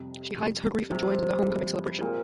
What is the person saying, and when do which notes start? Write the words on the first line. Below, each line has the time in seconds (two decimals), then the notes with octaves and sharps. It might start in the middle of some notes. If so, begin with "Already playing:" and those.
She hides her grief and joins in the homecoming celebration.
Already playing: F2 C3 G3
0.35 F2 C3 G3
0.91 G2 C3 F3 G#3 C4
1.46 G2 F3 G#3 C4
2.01 A#2 G#3 C4 F4